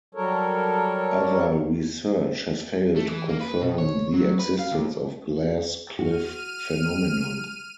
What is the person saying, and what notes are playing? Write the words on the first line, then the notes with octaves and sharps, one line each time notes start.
Other research has failed to confirm the existence of glass cliff phenomenon.
F#3 G3 A4 A#4 C#5
A3
E3
A#3
B4
B2
C#5
F#3
B4
F5
D#2
F#4 F6 D#7